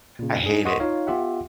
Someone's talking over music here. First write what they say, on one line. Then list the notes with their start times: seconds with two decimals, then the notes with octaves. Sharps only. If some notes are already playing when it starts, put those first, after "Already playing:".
I hate it.
0.19 A#2 C#3
0.44 D4 G#4
0.65 D#5 F#5 C6 C#6 D#6
0.80 D#4 F4 C#5 F5
1.07 B3 F4 G4 E5 F#5